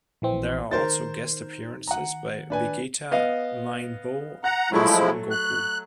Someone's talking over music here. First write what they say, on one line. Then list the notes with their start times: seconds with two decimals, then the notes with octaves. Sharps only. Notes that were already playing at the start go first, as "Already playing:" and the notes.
There are also guest appearances by Vegeta, Majin Boo and Son Goku.
0.22 A#1 E3 C4
0.71 D#3 A#4 C5 A6
1.88 F#5 A#5
2.50 D4 B4 G#5
3.11 B3 D#5 F5
4.44 F#5 A#5 F#6
4.72 F3 F#3 G#3 A3 E4 C#6
5.31 F#6